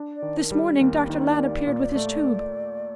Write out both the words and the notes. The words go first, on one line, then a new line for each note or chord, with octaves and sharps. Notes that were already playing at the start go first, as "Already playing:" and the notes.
This morning Dr. Ladd appeared with his tube.
Already playing: D4
D5
D#3
A#4
G3
A4
A4
D#2 A#4
D#3 C5
D5
A#3
A#2
A3